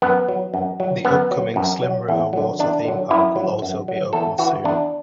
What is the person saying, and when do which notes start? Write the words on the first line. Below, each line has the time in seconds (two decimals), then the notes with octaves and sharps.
The upcoming Slim River Water Theme Park will also be opened soon.
0.02 F#2 B3
0.28 F#3
0.54 F#2
0.80 F#3
1.05 F#2 B3
1.31 F#3
1.56 F#2
1.83 F#3
2.08 E2
2.33 D3 F#3
2.59 E2 D4
2.85 D3 F#3
3.11 F#2 E4
3.36 F#3
3.62 F#2
3.88 F#3
4.13 E2 A4
4.38 E3 F#4
4.64 E2 D4